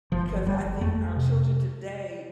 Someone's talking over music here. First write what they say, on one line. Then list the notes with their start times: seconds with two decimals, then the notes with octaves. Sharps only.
Because I think our children, today,
0.12 G1 F3
0.47 G1 G3
0.81 F2 A3
1.17 C3